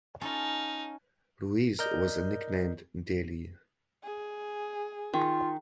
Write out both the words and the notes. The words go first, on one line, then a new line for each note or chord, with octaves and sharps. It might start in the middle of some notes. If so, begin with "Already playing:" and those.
Ruiz was nicknamed Deli.
C#4 D#4 F4 A4
A#4 D5 D#5 G6
G#4
D#3 F4